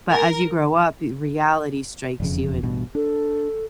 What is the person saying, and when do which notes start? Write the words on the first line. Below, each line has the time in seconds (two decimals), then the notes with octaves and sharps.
But as you grow up, y reality strikes you, and
0.11 A#4
2.20 E1 F2 C#3
2.63 A1 G2 B2
2.95 D4 A4